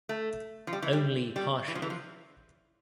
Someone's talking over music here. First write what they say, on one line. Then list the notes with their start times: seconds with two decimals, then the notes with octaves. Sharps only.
Only partially.
0.09 A3
0.67 F3
0.73 G3
0.82 E3
0.93 G3
1.36 G3
1.68 E3
1.75 F3
1.82 E3
1.90 F3